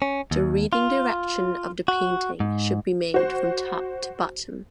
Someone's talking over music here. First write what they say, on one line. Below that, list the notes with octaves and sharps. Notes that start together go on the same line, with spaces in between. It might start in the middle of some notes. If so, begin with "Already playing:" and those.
The reading direction of the painting should be made from top to bottom.
C#4
D#2
F4
F#4
G#2
F#4 C5